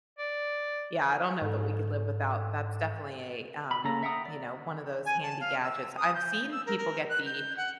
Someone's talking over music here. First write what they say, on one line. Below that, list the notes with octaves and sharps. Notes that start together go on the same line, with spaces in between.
yeah, I don't know that we could live without that's definitely a um, you know, one of those handy gadgets. I've seen people get the,
D5
G#2 A4
B5
C#3 A#3 C#4 A4 A#5
E5 F#5 G5 A#5 D#6
D5
G#5
A5
F5
E6
D#6
G6
E6
A#4
A#4
F#6
G6
F#5